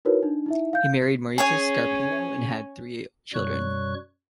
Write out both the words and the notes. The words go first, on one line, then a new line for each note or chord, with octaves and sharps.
He married Marita Scarpino and had three children.
D#4 E4 F#4 A#4 B4 C#5
D4 D#4
D#4 E4 E5
F5 G6
C#4 G#4 C#5 G#5
F#2 B2 G3 C#5 C#6 F#6